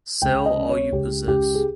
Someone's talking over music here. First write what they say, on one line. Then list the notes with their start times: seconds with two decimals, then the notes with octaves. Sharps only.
Sell all you possess.
0.22 C#2 G5
0.46 D#5
0.57 C#3
0.69 C#5
0.92 C#2 G4
1.27 C#2 G4
1.55 G#4